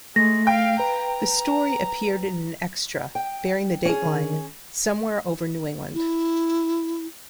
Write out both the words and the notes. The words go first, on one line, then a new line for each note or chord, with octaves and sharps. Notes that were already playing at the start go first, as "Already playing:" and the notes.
The story appeared in an extra bearing the dateline "Somewhere Over New England".
G#3 A3 A#6
F5 G5
B4 A#5
G5
C#4 G#4
D#3
E4